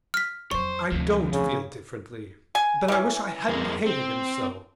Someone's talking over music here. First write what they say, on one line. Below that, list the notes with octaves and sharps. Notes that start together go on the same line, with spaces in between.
"I don't feel differently, but I wish I hadn't hated him so."
F6 B6
F2 F#3 C5 C#5 C#6
D2 C3 F3
C#3
G#5
E3 C#4
F2 G#3 A#3
C4